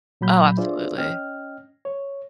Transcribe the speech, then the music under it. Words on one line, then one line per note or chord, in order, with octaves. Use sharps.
Oh, absolutely.
A#2 F#3 B5 G6
D4 F4 G#4 C5 D5 E5
C#4 D#5 G5 F6
C#5